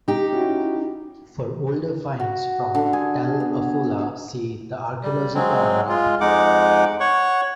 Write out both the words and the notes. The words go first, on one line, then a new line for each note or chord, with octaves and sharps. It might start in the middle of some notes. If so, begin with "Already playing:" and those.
For older finds from Tel 'Afula see the Archaeology paragraph.
D#4 G4
C#4 E4 F#4
F#4
D3
G#4
B3
G3
F#3 G#3 C4
G#3 F4
F2 G#3 D#4 F#5 D6
C#5 F#5 C#6